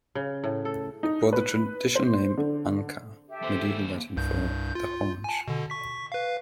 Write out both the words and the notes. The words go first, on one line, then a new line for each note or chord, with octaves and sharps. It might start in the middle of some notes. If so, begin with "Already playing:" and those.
It bore the traditional name "Ancha"; Medieval Latin for "the haunch".
C#3
A2
A4
D#4
B4
C5
D3
G4 A4 E5
D#2 C5
C2 G2 G6
F4
G#5 A5
B2 D3
C#6 B6
B4 F5